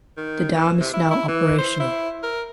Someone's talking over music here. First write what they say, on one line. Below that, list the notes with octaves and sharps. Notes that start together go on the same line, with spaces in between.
The dam is now operational.
D#3
E3
C3
E4
E4
E3
C5
E4
A#4